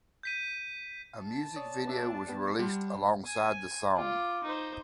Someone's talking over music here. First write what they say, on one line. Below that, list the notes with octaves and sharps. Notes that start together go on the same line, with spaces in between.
A music video was released alongside the song.
G6 B6 D#7
A5
C#5 D5 D#6
B3 D4 C#5 E5
B3 G4 D5
G3 F#5 A5 C6
G#5
F4 D6
D#4 C5